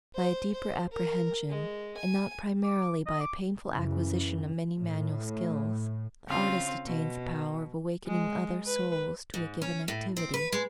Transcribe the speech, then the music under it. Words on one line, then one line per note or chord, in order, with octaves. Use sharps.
By a deeper apprehension, and not primarily by a painful acquisition of many manual skills, the artist attains the power of awakening other souls to a given activity.
C5
C5
A#4
G#3
G#5
D6
D#5
D6
F#2 C#3 E3
A2
C#3 C4 F4 F5
B2
G#3
B4
G#2
C#4
A2
C4
B4
G#3